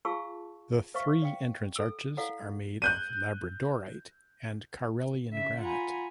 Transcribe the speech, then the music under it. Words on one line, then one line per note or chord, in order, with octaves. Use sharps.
The three entrance arches are made of labradorite and Karelian granite.
F4 G#4 F5 A5 C#6 E6
C5 E5 F5 C#6
D5 F5 G5
A4 E6
E4 A4 D5 F5 F#5
F#6 G6 D#7
C#3 E5
F4 F#5 G#5 A#5 B5